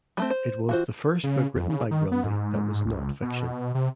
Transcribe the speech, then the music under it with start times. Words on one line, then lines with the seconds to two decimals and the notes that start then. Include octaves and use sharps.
It was the first book written by Grundy that was not fiction.
0.17 G3 A3 C4
0.30 C5
0.69 E3 F4 F#4 C5
1.24 C#3
1.55 F2
1.70 C#3
1.91 D#3
2.12 B3
2.24 G#2
2.86 C#2
3.22 B2
3.75 C3